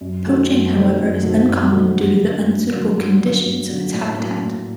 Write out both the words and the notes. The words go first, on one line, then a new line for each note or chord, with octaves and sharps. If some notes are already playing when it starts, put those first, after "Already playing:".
Poaching, however, is uncommon due to the unsuitable conditions of its habitat.
F#2
D#3 A3 C4 F#4
F#2
D#3 A3 C4 F#4
F#2
D#3 A3 C4 F#4
F#2
D#3 A3 C4 F#4
G2
D3 F#3 A#3
G2
D3 F#3 A#3
G2
D3 F#3 A#3
G2
D3 F#3 A#3
A2
F#3 A#3
A2